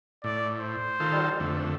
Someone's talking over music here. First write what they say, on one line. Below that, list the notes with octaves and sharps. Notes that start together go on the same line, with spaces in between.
while watching.
A2 D5
C5
D#3 F4 A4
F2 D3 A3